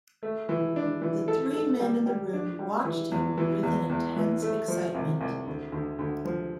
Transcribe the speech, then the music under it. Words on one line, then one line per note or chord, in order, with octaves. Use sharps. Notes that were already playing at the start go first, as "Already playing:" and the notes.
The three men in the room watched him with an intense excitement.
A3
E3
D4
E3
A4
A4
G3
G3
D4
G3
E3
E2
E3
E2
E2
E3
A3
F3
C2
C2
D2
D2
D2
F3